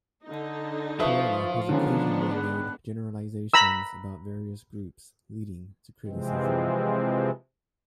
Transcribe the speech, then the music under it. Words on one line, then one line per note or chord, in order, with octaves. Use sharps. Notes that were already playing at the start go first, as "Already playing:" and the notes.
Carolla has occasionally made generalizations about various groups, leading to criticism.
D3 D#4
F3 F4 B4 E5 F5 C#6 D#6
D3 D#3 G#3 B3 C#4 D4 A#5
B5 F#6
A#5 B5 E6
C3 E3 F3 G#3 C4